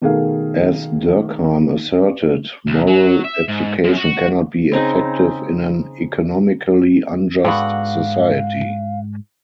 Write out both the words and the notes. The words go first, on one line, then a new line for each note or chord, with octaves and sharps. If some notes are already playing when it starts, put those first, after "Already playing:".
As Durkheim asserted, moral education cannot be effective in an economically unjust society.
B2 D#3 A3 G#4 A#4 F5
C2
F#3
E5
G#2
F#2
F#4
C#3 C4 D#4 G#4
G#2 D3 B3 F#4 F5 G5